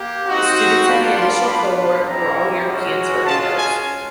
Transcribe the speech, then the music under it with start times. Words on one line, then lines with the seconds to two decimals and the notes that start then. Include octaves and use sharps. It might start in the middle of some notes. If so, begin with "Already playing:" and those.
The students in the initial cohort were all Europeans or Indos.
Already playing: A#3 G4
0.26 C4 D#4 F#4
0.86 G3 A#3 D4 F4 B5
1.16 C6
1.46 B3 D4 F4 B5
2.06 G3 C4 E4 G4 A#5
2.66 G#3 C#4 F#4
3.26 G#3 C#4 F4 A5
3.56 G#5